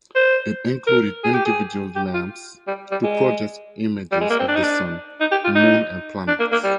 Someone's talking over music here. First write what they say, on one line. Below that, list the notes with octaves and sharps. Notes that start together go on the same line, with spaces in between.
It included individual lamps to project images of the Sun, Moon and planets.
C5
A#4
G#4
G4
G#4
G4
F4
G3
G3
G#3
G3
G#3
A#3
C4
D4
D#4
D4
D#4
G4
F4
D#4
D4
A#3
A#3
G3